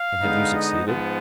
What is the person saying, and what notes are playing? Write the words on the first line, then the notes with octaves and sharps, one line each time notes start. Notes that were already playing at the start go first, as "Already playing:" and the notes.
"And have you succeeded?"
Already playing: F5
D3 G#3 B3 D#4
D#5
G#2 F3 B3